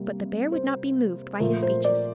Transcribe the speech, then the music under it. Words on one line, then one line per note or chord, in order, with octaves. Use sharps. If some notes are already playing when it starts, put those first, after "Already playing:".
But the bear would not be moved by his speeches.
Already playing: C3 G3 A#3
C5
A#2 F3 A3 A#4
C5
D5